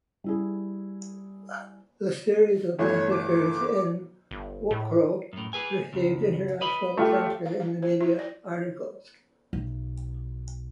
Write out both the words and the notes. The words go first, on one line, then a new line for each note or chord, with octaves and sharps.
The series of massacres in Wukro received international attention in media articles.
G3 E4 G#4
G1 E3 A3 C#5
D6
G1
A2
F#2 A2
G#4 B4 G#5
C#2 F#2
B4 D#5 B5
A3 F4 G4
F5
F5
C5
E4
D5
B1